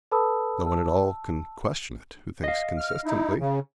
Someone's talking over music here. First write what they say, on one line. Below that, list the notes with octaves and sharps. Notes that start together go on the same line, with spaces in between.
'No one at all can question it who thinks consistently.'
A4 B4 A5 B5 D#6 E6
A5 E6
D#5 F5
F6
D#4 E4
C#3